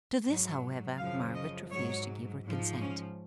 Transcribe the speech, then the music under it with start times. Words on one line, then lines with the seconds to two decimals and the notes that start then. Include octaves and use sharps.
To this, however, Margaret refused to give her consent.
0.26 G#2 F#3
0.98 F#2 C#3 F3 F5
1.34 D#5
1.71 G#2 F#3 C#5
2.43 G#2 F3
2.80 C#4